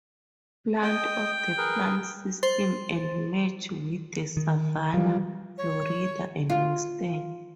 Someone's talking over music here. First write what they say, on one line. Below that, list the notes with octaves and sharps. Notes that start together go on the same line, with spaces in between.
Plant of the Plant System and merged with the Savannah, Florida and Western.
D#5 G5 D#6
G#4 A#4 B4
C5 C6 A6
D#3
E3 F3 G3
C#5
F4